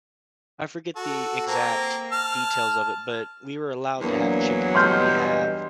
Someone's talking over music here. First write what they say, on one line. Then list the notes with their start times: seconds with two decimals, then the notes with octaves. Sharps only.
I forget the exact details of it, but we were allowed to have chickens, and we have,
0.96 F#4 A4
1.47 A#3 C4
2.12 A5 F6
4.00 E2 F#3 A#3 D4
4.75 G2 G4 D#5 C6 F6 G6